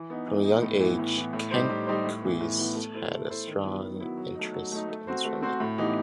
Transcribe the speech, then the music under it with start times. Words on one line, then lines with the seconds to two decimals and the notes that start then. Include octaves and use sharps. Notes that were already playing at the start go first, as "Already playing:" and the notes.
From a young age, Kenkhuis had a strong interest in swimming.
Already playing: E3
0.10 B3 D#4
0.28 E3
0.44 B3 D#4
0.62 A2
0.80 E3 B3
0.99 A2
1.17 E3 B3
1.33 A2
1.51 G3 D#4 G4 C5
1.70 A2
1.87 G3 D#4 G4 C5
2.05 A2
2.22 E3 B3
2.41 A2
2.58 E3 B3
2.75 A3
2.94 E4 A4 C5
3.12 A3
3.29 E4 A4 C5
3.47 D#3
3.64 F#3 B3 E4
3.82 D#3
4.00 F#3 B3 E4
4.17 F#3
4.35 A3 D#4
4.53 F#3
4.72 A3 D#4
4.88 A3
5.07 C4 F#4 C5
5.24 A3
5.42 C4 F#4 C5
5.60 A2
5.78 E3 B3 D#4 G4